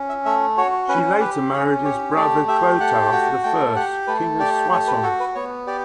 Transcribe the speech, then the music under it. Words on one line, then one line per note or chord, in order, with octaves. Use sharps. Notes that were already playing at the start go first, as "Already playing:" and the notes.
She later married his brother Clothar I, king of Soissons.
Already playing: C#4
E5
A3 E5
F#4 C#5
C#4 B4
G4 B4
C#4 C#5
G4 C#5
A3 D5
G4 E5
A3 F#5
F#4 G5
A3 G5
G4 F#5
A3 B4
G4 D5
A3 C#5
B4
F#4 A4
B4
B3 C#5
G4 D5